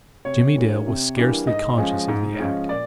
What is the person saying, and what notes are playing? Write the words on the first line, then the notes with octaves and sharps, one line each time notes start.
Jimmie Dale was scarcely conscious of the act.
C3 C#5
E3 G3 A#3 D4
C3
E3 G3 A#3 D4
G#2 D#5
F3 G#3 C#4
G#2
F3 G#3 C#4
A#2 D5